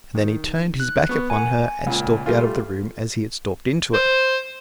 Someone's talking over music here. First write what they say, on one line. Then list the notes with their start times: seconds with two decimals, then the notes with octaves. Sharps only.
And then he turned his back upon her and stalked out of the room as he had stalked into it.
0.15 D#3
0.80 F#6
1.09 B3 C#6
1.30 A#4 F#5 G#5
1.87 C#2 A#2
2.26 G3 A3 F4
3.94 C5